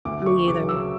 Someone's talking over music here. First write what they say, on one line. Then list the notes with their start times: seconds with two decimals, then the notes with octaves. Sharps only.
Me either.
0.05 D2 D6
0.26 C#6
0.48 C#3 F#3 D6
0.69 E6